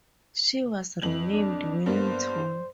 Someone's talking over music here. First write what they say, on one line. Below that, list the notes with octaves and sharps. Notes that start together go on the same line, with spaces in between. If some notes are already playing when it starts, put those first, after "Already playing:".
She was renamed "Wellington".
F2 E3 F#7
D4
G2 A#3 B3 C5